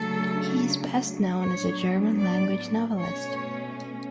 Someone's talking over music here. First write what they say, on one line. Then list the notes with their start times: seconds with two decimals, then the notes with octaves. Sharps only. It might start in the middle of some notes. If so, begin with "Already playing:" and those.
He is best known as a German-language novelist.
Already playing: C#3 F#3 A3 D4 A4
1.40 A2 F#3 B3 D4 C#5
2.18 D5
2.97 B2 A3 C#4 C#5